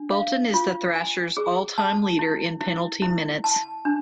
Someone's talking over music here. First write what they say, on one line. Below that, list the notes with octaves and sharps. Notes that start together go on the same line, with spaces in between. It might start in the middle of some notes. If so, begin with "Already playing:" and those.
Bolton is the Thrashers' all-time leader in penalty minutes.
Already playing: D4
F5
F4
G#5
G#4
A5
E4
E4
E4
A5
D4